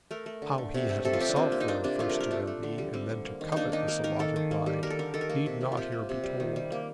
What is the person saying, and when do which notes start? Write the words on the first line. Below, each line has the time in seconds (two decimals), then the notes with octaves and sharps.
How he had himself learned first to envy and then to covet this allotted bride need not here be told.
0.11 A3 A#4
0.26 A3
0.42 D3
0.58 D3
0.74 C3
0.89 A3
1.05 C3 A4
1.13 F4
1.20 C3 G4
1.29 D4
1.36 A#3 C4
1.52 A#3
1.61 D#4
1.68 A#3 D4
1.84 C3 D4
1.99 A3 F4
2.09 A#4
2.15 A3
2.20 A#4
2.31 A3 D4
2.47 A3
2.63 D3
2.78 G3
2.93 G3 C4
3.09 D3
3.25 A#3
3.41 D#3
3.52 A#3 D4 D#4
3.72 D#3 D#4
3.88 A#3 A#4
4.04 D#3 A#4
4.19 D#3 A4
4.36 D#3
4.51 A#3
4.66 G3
4.83 G3 A#4
4.90 A4
4.99 D3 A#4
5.14 D#3 A4
5.21 A#4
5.29 A#3 A4
5.46 C3
5.61 C3
5.72 F4
5.77 C3 G4
5.92 A#3
6.09 C3
6.24 G3
6.40 D#3
6.56 G3
6.72 A#3